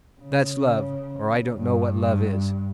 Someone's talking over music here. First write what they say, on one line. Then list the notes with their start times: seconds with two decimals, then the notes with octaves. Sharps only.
"That's love, or I don't know what love is."
0.21 C#3
1.57 G2